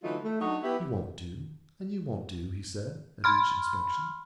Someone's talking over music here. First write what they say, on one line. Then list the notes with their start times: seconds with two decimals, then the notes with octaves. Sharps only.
'You won't do, and you won't do,' he said, at each inspection.
0.03 D3 E3 F#3 A3 D#4 F4
0.23 A3
0.41 F#3 D4 D#4 C#5 D#5 F#5
0.63 B3 E4 G4
3.24 B5 C6 F6